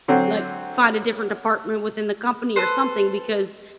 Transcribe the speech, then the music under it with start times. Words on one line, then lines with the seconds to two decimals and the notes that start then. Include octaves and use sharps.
like, find a different department within the company or something because
0.08 D3 F#3 C4
2.56 A4 B4 C5